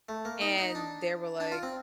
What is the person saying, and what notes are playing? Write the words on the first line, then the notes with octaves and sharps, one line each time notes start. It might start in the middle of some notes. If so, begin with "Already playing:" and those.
and they were, like,
A3
A#3
D#4
D#4
D4
D4
F4
C4